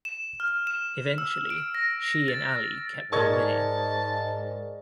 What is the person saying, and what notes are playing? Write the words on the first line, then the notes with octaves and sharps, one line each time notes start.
Eventually, she and Ali kept on winning.
E7
F6
E7
E6
D7
A#6
A6
G#2 G#4 A#4 D5 D#5 A5 C#6 G#6